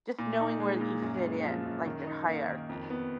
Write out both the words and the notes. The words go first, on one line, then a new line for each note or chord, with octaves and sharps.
Just knowing where you fit in, like, their hierarchy.
A#2
D#4
G#3
A#2
F#2
G#3
F3
F#2
D#3
D#4
A#3
D#3
F2
B3